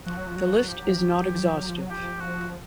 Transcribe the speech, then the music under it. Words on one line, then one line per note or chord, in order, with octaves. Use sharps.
The list is not exhaustive.
F3 F#4
F#3
F3
F#3 F#4
F3
F#3
F3 G4
F#3
F3
F#3
F3
F#3
F3
F#3
F3
F#3
F3
F#3
F3 G4
F#4